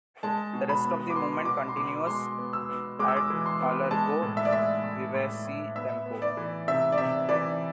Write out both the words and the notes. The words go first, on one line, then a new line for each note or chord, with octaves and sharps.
The rest of the movement continues at allegro vivace tempo.
G#3 A5
B2
B5
B3
D6
B3 C6
B2 D6
C6
B2 D6
G#3 C6
B3
E6
B3
G#3 D6
E6
D6
E3
C6
B3
G#3 A5
A2
E5
D5
G#3 E5
A2
A2
A2
B3 E5
B3
D5
E3
C3 E5
D5
C3 E5
E3 D5